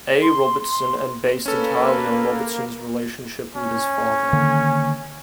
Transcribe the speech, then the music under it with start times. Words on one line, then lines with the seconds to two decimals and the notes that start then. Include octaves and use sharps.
A. Robertson, and based entirely on Robertson's relationship with his father.
0.22 C6
0.69 C6
1.46 A#3 C#4 A4 B4
3.56 C#4
4.33 D3 D#3 A#3